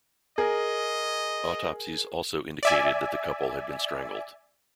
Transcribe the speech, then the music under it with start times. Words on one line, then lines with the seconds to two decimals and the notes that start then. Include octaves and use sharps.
Autopsies also indicated that the couple had been strangled.
0.38 G#4 A#4 D#5
2.63 D5 E5 G#5